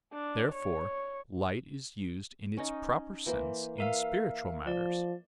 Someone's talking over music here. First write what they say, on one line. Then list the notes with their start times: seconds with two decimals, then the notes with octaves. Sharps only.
Therefore light is used in its proper sense in spiritual matters.
0.13 D4
0.54 C#5
2.57 C#4 D#4
3.26 E3 A#3 C5
3.78 A#4 E5 F5
4.67 F3 D5